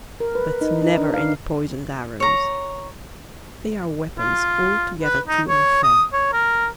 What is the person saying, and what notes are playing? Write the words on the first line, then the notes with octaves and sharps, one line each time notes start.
But never any poisoned arrows--they are weapons altogether too unfair.
A#4
B4
D#4
D#4
D4
F5
C#5 A#5
F4
B4
D#4
C#5
D#6
C#5
A#4